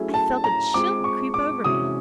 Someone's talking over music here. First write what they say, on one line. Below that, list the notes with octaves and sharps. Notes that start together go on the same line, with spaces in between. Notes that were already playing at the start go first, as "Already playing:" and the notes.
I felt a chill creep over me.
Already playing: F#3 A3 C#4 E4 G#4
A5
A#5
G#3 C4 F4 G#4 D6
C#6
D6
C3 E3 G#3 C#4 F#4 D#6